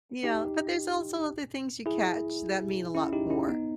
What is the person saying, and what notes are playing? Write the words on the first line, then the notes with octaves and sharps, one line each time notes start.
Yeah, but there's also other things you catch that mean a lot more.
D#4 G4
E4 G#4
C#4 E4
D#4 G4
C#4 E4
B3 D#4